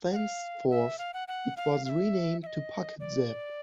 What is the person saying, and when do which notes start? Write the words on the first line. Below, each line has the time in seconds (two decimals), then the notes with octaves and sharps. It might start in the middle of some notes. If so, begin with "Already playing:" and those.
Thenceforth, it was renamed to PocketZip.
0.13 F#5
0.16 F5
0.70 E5
0.98 F5
1.14 F#5
1.28 F#5
1.57 F5
1.85 F5
1.89 E5
2.43 E5
2.46 D#5
3.00 D5